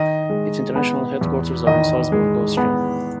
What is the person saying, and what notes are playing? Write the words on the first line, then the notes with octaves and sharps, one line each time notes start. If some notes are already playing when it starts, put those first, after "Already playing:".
Its international headquarters are in Salzburg, Austria.
Already playing: D#3 D#5
G#3
B3
E2
D#3 D#5
G#3
B3